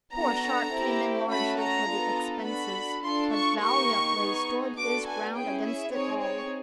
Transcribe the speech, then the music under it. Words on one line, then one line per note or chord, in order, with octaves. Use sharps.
Poor Sharp came in largely for the expenses, but valiantly stood his ground against it all.
B3 D4 F#4 A4 A#5
C4 E4 G4
A3 C#4 F#4 A4 B5
A#5
B3 D4 F4 A4
D4 F#4 A4 B5
D4 F4 A4 C6
C#6
A#3 D#4 G4 C#6
B3 D#4 G#4
B3 D4 F#4 A4 D6
G#5
C#4 E4 G#4 G5
E5
C4 D#4 G#4 C#5
C#5